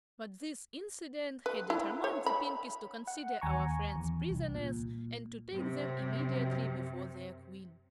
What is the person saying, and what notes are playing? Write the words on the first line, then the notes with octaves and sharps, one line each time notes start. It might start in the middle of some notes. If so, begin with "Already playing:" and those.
But this incident had determined the Pinkies to consider our friends prisoners and to take them immediately before their Queen.
B4
E4
C#5
B5
F#5
D#2 G#5 A#5 C#6
E2
C2
A#2
F#2 C3